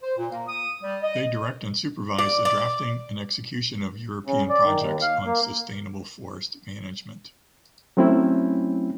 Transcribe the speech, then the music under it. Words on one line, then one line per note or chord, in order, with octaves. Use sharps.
They direct and supervise the drafting and execution of European projects on sustainable forest management.
C5
A#2
A#3
D#6
G3
D#5
D5
D5
C#3
D5
D#3
D#2
F5
A#3
F#3 A3 C4 C#4 E4